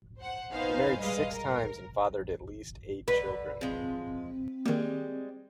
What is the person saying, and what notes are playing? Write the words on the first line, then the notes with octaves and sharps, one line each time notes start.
He married six times and fathered at least eight children.
C5 F#5
B3 D#4 B4 C5 F5 G#5
G3 G#3 B4 D#5 F5
A#4
D3 B4
F3 G#3 C4
D#3 G3 G#3 A#3